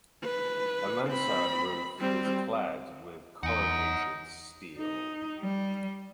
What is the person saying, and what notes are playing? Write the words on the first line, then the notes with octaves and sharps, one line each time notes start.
A mansard roof is clad with corrugated steel.
B4
C4 B5
G3 C4
E2 D#4 F#5 G#5
D#4
G3